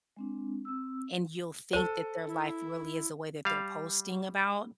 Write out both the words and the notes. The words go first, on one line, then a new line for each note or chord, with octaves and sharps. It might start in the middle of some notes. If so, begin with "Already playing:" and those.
and you'll think that their life really is the way that they're posting about,
G#3 C4 D4
C4 E6
A4 C5 D#7
E4
G3 F5